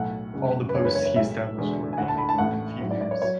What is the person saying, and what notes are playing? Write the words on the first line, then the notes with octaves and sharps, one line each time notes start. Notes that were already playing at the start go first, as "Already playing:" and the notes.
All the posts he established were abandoned within a few years.
Already playing: B1 A2 F#3 A3 F#5
F#1 F#2 C#3 G#3
B4
F#1 E2 D3 G#3 C#5
B4
C#5
C#5
B1 A2 G#3 E5
E1 E2 D3 G#3
G#5
D2 D3 A3 F#5
A5
B5
A5
A1 A2 E3 A3 F#5
A1 G#2 F#3
D5
D5
C#5
C#5
F#3